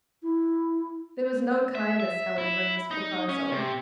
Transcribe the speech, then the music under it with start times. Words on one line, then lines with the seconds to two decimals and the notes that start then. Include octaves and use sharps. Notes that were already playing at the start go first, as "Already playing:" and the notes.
There was no kindness, however, in this proposal.
0.23 E4
1.75 E5
2.00 E5
2.38 E4
2.91 D#4
3.29 C#4
3.52 C3